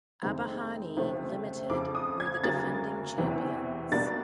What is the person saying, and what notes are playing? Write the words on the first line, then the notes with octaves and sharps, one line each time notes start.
Abahani Limited were the defending champions.
F2 C3 D#3 G#3 C4
C#2 C3 F3 A3 C#4
F2 C#3 F3 D6
D#6
G#6
D2 C#3 F#3 A#3 A6
E2 C3 E3
B2 G3 A#3 D4 A6